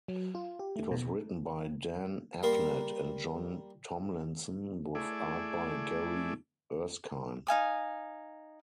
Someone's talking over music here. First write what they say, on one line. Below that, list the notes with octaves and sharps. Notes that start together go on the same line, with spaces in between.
It was written by Dan Abnett and John Tomlinson with art by Gary Erskine.
F#3
F4
G4
A3
B2
G3 A#3 A#4 C6
A3 E4 G#4 D5
D#4 F5 G#5 D#6